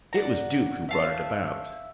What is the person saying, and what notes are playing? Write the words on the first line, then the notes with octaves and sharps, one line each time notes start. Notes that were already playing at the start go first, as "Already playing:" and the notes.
It was Duke who brought it about.
D5 F#5 A#5
E5 F5 A5